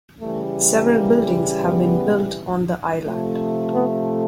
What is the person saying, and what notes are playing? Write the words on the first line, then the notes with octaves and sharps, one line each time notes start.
Several buildings have been built on the island.
C#3 E3 G3 A3
A#3
B3
C3 F3 A3
B3